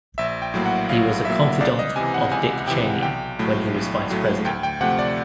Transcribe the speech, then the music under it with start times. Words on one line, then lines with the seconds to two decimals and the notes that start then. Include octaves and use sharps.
He was a confidant of Dick Cheney when he was Vice President.
0.18 A#1 E5
0.42 G5
0.54 A2 F#3 A#3
0.65 F#5
0.89 A#1 F5
1.25 A2 F#3 A#3 E5
1.60 C#2 D5
1.79 D#5
1.96 C3 E3 G#5
2.14 F#5
2.31 C#2 G#5
2.67 C3 E3 G5
3.03 B1 G5
3.39 A2 F#3 A3
3.74 B1
4.10 A2 F#3 A3
4.45 D2 G5
4.63 G5
4.81 C3 F3 A3 F#5
4.99 D5